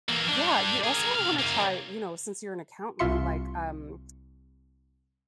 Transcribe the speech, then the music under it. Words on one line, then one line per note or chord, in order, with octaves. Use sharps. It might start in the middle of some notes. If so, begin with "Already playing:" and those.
yeah, you also might wanna try, you know, since you're an accountant, like, um,
E3 A#3
G3 D4
G#4 A#4
C3 F5
F#2 A#3
C2 F4 E5 C6 C#7